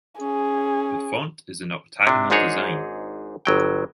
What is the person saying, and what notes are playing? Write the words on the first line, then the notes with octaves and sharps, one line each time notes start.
The font is an octagonal design.
C#4 G#4
C3 D4
G#1 G#2 D4 D#4 G#4 C#5
G1 F#3 G5